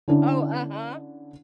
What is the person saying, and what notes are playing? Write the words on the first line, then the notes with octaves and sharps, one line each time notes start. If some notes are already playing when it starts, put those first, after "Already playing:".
Oh, uh-huh.
D3 C#4 D4 E4